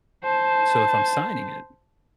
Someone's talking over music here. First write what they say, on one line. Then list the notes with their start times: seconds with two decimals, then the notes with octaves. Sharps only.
So, if I'm signing it,
0.24 C5 A5